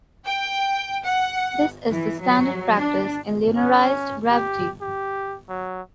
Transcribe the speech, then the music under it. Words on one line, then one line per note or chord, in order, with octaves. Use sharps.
This is the standard practice in linearized gravity.
G5
F#5
E3
F#3
D4
C#4
G4
G4
F#3